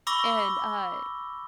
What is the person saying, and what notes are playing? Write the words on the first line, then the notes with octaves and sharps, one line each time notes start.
and, uh
B5 C#6 D6 E6 A#6 G7